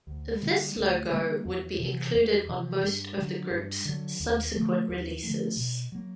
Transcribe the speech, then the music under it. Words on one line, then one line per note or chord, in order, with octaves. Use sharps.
This logo would be included on most of the group's subsequent releases.
D2
D3 G3 A#3
D2
D3 G3 A#3
E2
C3 E3
E2
C3 E3
G2
D3 F#3
G2
D3 F#3
D#2
D3 F3 A3
D#2
D3 F3 A3
B2
F#3 A#3